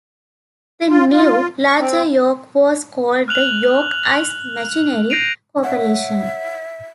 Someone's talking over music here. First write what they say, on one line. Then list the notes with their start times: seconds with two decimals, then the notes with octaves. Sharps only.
The new, larger York was called the York Ice Machinery Corporation.
0.90 F4
1.11 F4
1.67 C#6
1.80 C4
3.28 F6 F#6 F7 F#7
5.10 G6 A#6 C7 D7 D#7 F7
5.64 C#5 E5 F#5